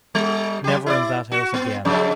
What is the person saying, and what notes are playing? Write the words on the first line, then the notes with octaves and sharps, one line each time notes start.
Never in that house again!
G3
F#3 G4
E4 B4 D5
F#4
B3
F2 C#3